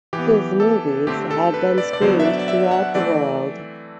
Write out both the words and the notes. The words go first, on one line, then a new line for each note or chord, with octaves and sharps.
His movies have been screened throughout the world.
E3 G4
B3
A4
D3 A3 C4 G4
A4
B4
D5
D5
D3 F#3 B3 C5
E5
D5
D5
E5
F#5
E3 A3 C4 D5